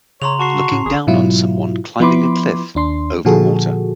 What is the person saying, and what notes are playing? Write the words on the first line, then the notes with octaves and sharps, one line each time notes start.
Looking down on someone climbing a cliff over water.
C#3 C#5 A#5 C6 F7
F#4 A5 C#6 C7
A2
G#1 G#4
G#2 B2 F#3 E4 F4
F3 B3 E4 B5 C6 D6
D#2 D4 C6
A#2 D3 F3 F#4 G#4 A4